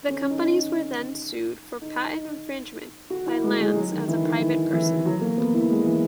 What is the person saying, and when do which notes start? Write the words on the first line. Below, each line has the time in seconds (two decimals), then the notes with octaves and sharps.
The companies were then sued for patent infringement by Lans, as a private person.
0.09 C#4
0.30 D#4
1.81 D#4
3.10 F#4
3.27 E4
3.44 G#3
3.60 G#3
3.75 F#3
3.92 D#3
4.08 E3
4.25 D#3
4.40 E3
4.73 E3
5.06 F#3
5.21 A#3
5.38 B3
5.54 E4
5.70 G#3
5.86 E3